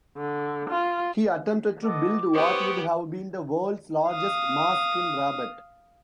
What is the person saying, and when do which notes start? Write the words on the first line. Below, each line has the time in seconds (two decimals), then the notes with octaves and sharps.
He attempted to build what would have been the world's largest mosque in Rabat.
0.17 D3
0.70 F4
1.84 B3 A4 D#5 D6
2.34 B3 G4 C5 C#5 C#6 D#6
4.08 F5 D#6